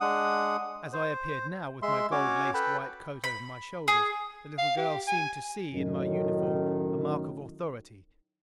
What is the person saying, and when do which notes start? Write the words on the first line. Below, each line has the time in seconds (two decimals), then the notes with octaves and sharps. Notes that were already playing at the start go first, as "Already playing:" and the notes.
As I appeared now, with my gold laced white coat over my shoulders, the little girl seemed to see in my uniform a mark of authority.
0.01 G#3 D4 F#5 D#6
0.93 C5
1.82 G#3 E5 C6
2.12 C#4 F#4 C#5 D6
2.54 A4 B4 G5 A5 B5
3.24 B5
3.88 G#4
4.59 F5
4.77 G4
5.08 G#5
5.73 F#2 A2 D#3